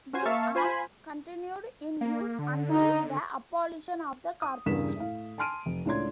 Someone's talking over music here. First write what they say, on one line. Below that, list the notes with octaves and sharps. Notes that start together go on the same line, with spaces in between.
These arms continued in use until the abolition of the corporation.
C#4 F#4 C5 G#5
A#3 E5 F5 A5 C#6
F4 C5 G#5 B5
A#3
D3
D#4
D#6
E2 G2 C#3 A#4 B6 E7
A2 F5
G#5 A5 C6 F6 D7 D#7
F1
C#2 A2 D4 C#5 C6 G#6